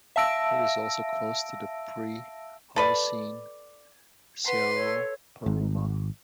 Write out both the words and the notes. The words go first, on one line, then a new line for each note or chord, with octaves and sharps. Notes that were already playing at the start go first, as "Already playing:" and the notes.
It is also close to the pre-Holocene Cerro Paruma.
E5 F5 A5 E6 A#6 D7
A4 B4 D5
B4 F#5 C6
A4 C#5
G#1